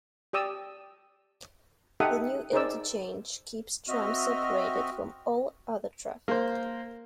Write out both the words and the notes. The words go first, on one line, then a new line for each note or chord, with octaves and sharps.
The new interchange keeps trams separated from all other traffic.
G4 D5 D#6 E6
D#4 G4 A4 E5 F#5 D#6
D#4 G#4 A#4 C5 D5 E6
C4 F#4 D#5 E5 F6
A#3 C5